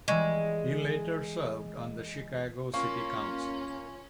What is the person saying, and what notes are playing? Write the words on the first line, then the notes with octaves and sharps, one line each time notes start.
He later served on the Chicago City Council.
E3 G3 G#3 C#6
A#3 C#4 F4 C#6